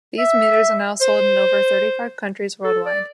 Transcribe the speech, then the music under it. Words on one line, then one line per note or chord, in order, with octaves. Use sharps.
These meters are now sold in over thirty-five countries worldwide.
E5
C5
A4
D5